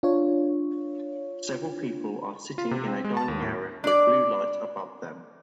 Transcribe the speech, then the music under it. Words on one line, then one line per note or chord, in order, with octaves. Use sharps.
Several people are sitting in a dining area with blue lights above them.
D4 F4 C#5
F4
C3
C4
G#3
A5
D#2
A2
D4 D5